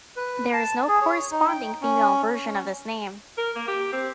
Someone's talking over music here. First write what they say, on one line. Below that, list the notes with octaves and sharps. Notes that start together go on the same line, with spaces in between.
There is no corresponding female version of this name.
B4
A5
G#4
C#5
D#4
G5
C#4
C#4
A#4
A#3
G4
C4